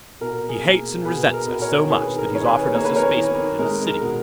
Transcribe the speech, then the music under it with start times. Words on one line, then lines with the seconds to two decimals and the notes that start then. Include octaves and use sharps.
"He hates and resents us so much that he's offered us a spaceport at his city...."
0.21 B2 A#4
0.49 G#4
0.63 A#3
1.05 B2 G#4 B4
1.33 A#4
1.47 B2
1.61 A#4 C#5
1.90 D#3 G#4 B4
2.18 A#4
2.32 D#3 C#5
2.46 G#4 B4
2.74 A#3 C#5
2.85 B4
2.96 A#4 C#5
3.16 D#3
3.59 G#3 A#4
3.87 A#4
4.01 B2